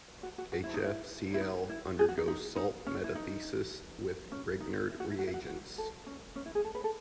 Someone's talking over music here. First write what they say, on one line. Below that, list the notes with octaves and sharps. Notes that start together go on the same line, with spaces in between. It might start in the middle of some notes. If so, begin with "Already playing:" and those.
HfCl undergoes salt metathesis with Grignard reagents.
F#4
F#4
F#4
E4
D#4
E4
E4
D#4
E4
G#4
F#4
D#4
D#4
D#4
C#4
E4
D#4
C#4
D#4
E4
F#4
E4
F#4
E4
F#4
F#4
A4
C#4
C#4
E4
G#4
A4
B4
A4